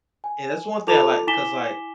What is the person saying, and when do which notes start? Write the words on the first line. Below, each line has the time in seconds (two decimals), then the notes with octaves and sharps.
Yeah, that's one thing I like 'cause, like,
0.24 G#5
0.87 F4 A4 A5 D6 F7
1.27 E4 G#5 D6 B6 E7 G7